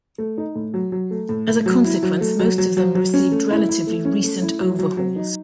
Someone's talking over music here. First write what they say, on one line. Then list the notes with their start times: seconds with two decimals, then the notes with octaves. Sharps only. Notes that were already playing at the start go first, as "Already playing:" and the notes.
As a consequence most of them received relatively recent overhauls.
0.18 A3
0.38 D#4
0.55 A2
0.74 F#3
0.92 F#3
1.11 A3
1.29 A2
1.48 A2
1.66 F#3
1.85 E4
2.03 F#3
2.21 A3
2.40 F#3
2.58 F#3
2.77 F#3
2.95 F#3
3.14 C#4
3.32 A3
3.51 E4
3.69 E4
3.87 A3
4.05 C#4
4.24 A3
4.42 E4
4.61 F#3
4.79 F#3
4.97 F#3
5.16 D#4